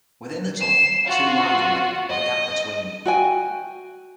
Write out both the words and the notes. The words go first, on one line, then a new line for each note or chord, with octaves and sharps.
Within the tunnel, two lines were laid with a gap between.
C7 E7
F4 F#4
D#5
F#4 G5 G#5